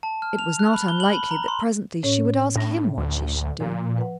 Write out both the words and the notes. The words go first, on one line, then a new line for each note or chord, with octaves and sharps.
It was not unlikely that presently she would ask him what she should do.
A5
F6
F7
F#6
B5
G7
F#7
B5
A#5
C6
A2 C#4 C#5
A2 D4 A#6
D2
A#2 F3
B4 F#5